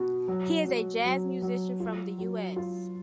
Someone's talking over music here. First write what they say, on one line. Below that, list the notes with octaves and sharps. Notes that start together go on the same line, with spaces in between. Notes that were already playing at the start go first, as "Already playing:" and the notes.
He is a jazz musician from the US.
Already playing: B2 F#4
F#3
F#3
F#3
F#3
F4
F#3
F4